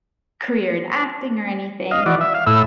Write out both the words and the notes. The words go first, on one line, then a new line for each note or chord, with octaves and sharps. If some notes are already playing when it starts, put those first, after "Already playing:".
career in acting or anything.
D#5 F5
E3 F#4 D5
E5
F5
A2 E4 E6